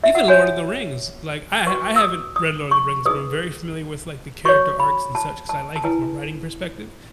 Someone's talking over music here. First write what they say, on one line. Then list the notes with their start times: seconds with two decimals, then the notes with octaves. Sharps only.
even Lord of the Rings, like, I h I haven't read Lord of the Rings, but I'm very familiar with, like, the character arcs and such 'cause I like it from a writing perspective.
0.04 E5
0.15 F#5
0.28 F#4 C#5 G#5
1.67 F#4 B4 C#6
1.96 E6
2.02 D#6
2.36 D#6
2.71 C#6
3.06 D#4 G#4 B4 D#6
4.45 F#4 C#5 C#6
4.80 B5
5.15 A5
5.49 A5
5.76 A5
5.84 E4 B4 G#5